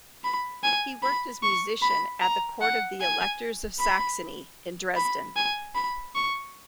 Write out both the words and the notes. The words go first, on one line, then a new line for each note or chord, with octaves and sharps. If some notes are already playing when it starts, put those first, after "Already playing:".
He worked as musician at the court of the Electors of Saxony in Dresden.
B5
G#5
B5
C#6
B5
A#5
F#5
G#5
B5
B5
G#5
B5
C#6